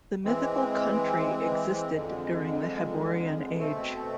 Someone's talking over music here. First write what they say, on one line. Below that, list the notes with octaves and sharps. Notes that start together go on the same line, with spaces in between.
The mythical country existed during the Hyborian Age.
E3 G#3 C4
F2 D3 G#3
B2 A3 C4